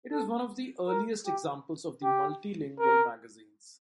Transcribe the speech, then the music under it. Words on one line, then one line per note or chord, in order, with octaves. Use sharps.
It is one of the earliest examples of the multilingual magazines.
A4
A#4
G4
G4
A#4